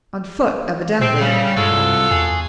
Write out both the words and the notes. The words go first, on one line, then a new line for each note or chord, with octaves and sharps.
On foot, evidently.
A#2 C4
C#3 G3
G2 G#3 F4 F#4 A4
C2
E2 G#4